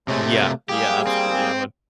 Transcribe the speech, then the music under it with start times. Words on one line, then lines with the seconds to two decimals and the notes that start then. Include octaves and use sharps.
Yeah, yeah, absolutely, I would.
0.08 C3 G#3 A3 C#5
0.30 F#3 A#3
0.69 G3 A#3 G4 G#4
1.07 C4